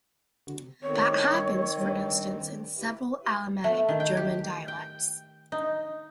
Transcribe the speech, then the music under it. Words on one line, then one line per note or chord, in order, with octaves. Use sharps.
That happens, for instance, in several Alemannic German dialects.
D#3 C4 C#5
A3
D#3
G5
G4
G5
D#4